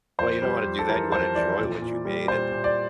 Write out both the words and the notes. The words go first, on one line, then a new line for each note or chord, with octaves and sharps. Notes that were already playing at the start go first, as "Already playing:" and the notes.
Well, you don't wanna do that, you wanna enjoy what you made, and,
F2 C5
G3
F2
A4
E3 A#4
F2 C5
E3 D5
A#2
A#2
G3
A#2 C5
A#2
D5